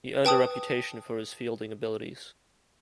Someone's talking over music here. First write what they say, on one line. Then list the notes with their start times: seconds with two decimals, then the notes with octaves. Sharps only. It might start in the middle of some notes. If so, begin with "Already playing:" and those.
He earned a reputation for his fielding abilities.
0.25 B4 G5 A5 D#6